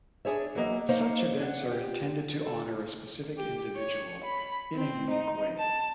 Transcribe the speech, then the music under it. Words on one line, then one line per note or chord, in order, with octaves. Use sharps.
Such events are intended to honor a specific individual in a unique way.
D4 F4 G#4 C#5 E5
E3 F#3 A#3 D#5
A#3 D#4 C5 C#5 F5
D4 F#5
G4
A4
G4
C#5
B5
C4
D#4
A5